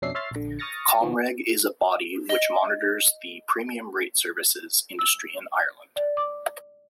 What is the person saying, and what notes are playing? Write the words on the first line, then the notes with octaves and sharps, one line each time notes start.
Comreg is a body which monitors the premium rate services industry in Ireland.
F2 B2 C#4 D4 E5 C7
C#5 E5 C6 F6 A6 C7
A#1 D3
C#6 D#6 F6 A6 A#6 C#7
B2 D#3 F3 B3
D#5 G7
E6
D5
D6